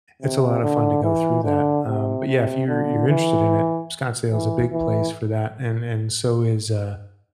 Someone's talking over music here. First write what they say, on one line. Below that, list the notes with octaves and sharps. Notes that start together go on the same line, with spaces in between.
it's a lot of fun to go through that, um, but yeah, if you're you're interested in it, Scottsdale is a big place for that and and so is, uh,
C3
D3
E3
D3
C3
C3
D3
E3
E3
E3